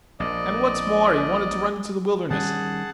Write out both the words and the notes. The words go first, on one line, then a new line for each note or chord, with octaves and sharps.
And what's more, he wanted to run into the wilderness!
A#1 D5 D#5
D#3 G3 C#4 G#4 F#5 A5